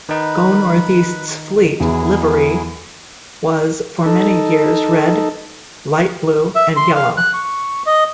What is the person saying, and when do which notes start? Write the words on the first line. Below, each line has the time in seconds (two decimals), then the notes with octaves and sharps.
Go North East's fleet livery was for many years red, light blue and yellow.
0.09 D#3 D#4 B4 B5
1.80 E2 F#3 E4 G#4
4.06 D#4 A4
6.55 E5
6.76 C6
6.95 F5
7.17 F#6
7.33 C#6
7.86 D#5